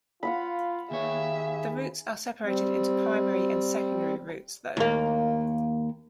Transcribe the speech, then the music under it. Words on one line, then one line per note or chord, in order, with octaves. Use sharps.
The routes are separated into primary and secondary routes, though.
F4 F5 F#5 B5
D#2 G#4 C#5 E5
G3 C4
D#2 A#3